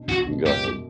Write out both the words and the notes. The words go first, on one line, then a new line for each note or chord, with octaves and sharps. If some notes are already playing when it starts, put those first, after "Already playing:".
Go ahead.
Already playing: B2 D4
E2 F#4
B2
F#2 G4
F#2